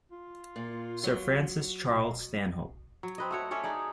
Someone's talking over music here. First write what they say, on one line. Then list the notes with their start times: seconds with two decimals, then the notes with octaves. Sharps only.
Sir Francis Charles Stanhope.
0.12 F4
0.56 A#2
1.04 F#3
1.89 B2
3.03 F#3
3.18 C4 B4 D#5
3.31 A3 F#4 C#5
3.51 A3 C#4 C#5 D5
3.64 D#4 G#4 D5